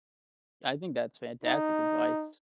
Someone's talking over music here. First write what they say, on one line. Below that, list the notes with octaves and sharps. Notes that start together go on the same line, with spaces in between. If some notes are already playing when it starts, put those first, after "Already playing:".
I think that's fantastic advice.
D#4